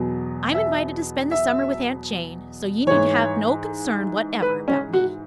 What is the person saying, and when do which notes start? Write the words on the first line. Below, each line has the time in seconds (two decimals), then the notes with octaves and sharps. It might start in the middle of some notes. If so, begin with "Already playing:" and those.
"I am invited to spend the summer with Aunt Jane, so you need have no concern whatever about me."
Already playing: E2 B2 F#3
0.54 E5
1.31 E5
2.87 G#2 E3 C#5
4.42 B4
4.68 C#4
4.93 F#4